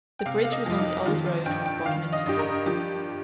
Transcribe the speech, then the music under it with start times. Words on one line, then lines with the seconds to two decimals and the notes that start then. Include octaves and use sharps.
The bridge was on the old road from Bodmin to Looe.
0.19 G5
0.26 C3 F5
0.44 F5
0.52 D#5
0.66 F2 F4
0.79 D#4
1.06 D#3 F4
1.26 F4
1.46 G2 G5
1.66 G5
1.86 D#3 F5
2.13 D#5
2.26 G2 G4
2.39 A#4
2.66 F3 G4